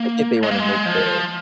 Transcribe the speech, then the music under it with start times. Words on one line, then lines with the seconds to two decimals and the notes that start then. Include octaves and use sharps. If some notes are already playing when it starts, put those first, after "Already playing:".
I think they wanna make the
Already playing: A#3
0.43 G#3
0.51 A#3
0.60 G#3
0.86 F3